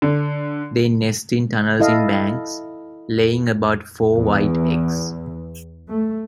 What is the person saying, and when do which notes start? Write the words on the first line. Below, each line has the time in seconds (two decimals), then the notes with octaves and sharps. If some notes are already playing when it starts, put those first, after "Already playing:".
They nest in tunnels in banks, laying about four white eggs.
0.02 D3
1.80 E4 A4 D#5 F5
4.14 E2
5.90 A3